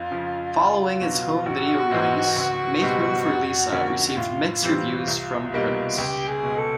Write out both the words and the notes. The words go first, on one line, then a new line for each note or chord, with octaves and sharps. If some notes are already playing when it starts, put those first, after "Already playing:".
Following its home video release, "Make Room for Lisa" received mixed reviews from critics.
Already playing: F2 F4
C#3 F3
C#2
B2 F#3
A1 F#4
G#2 E3 G#3 C4
C#2
B2 G3 C4 D#4
F2
D3 F3 A#3 C#4
A2 F4
E3 G3 C4
C2
B2 G3 A#3 D#4
C#2 G4
G#4
B2 G#3
A4